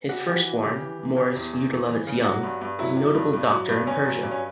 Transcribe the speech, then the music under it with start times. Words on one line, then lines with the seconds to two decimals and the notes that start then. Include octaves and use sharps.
His firstborn, Morris Youdelevitz Young, was a notable doctor in Persia.
0.09 C#3 F#4
0.20 G4
0.27 E3
0.32 F#4
0.45 E3
0.62 C#3 G4
0.81 E3
0.99 E3
1.16 C#3 G4
1.35 E2
1.53 E2
1.71 E2
1.89 E3
2.07 C#3
2.25 F#3 F#4
2.43 G2
2.61 G2
2.79 F#3 E4
2.97 F#3
3.14 G2
3.33 G2
3.50 F#3
3.69 G2
3.87 G2 C#4
4.05 F#3
4.23 G2
4.31 C#4